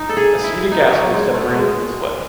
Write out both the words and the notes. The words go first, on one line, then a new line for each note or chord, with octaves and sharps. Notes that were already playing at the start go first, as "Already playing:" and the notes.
Acetic acid is separated in this way.
Already playing: D#4
A4
G#4
E4
D#4
F#3
G#3
A3
F#3
G#3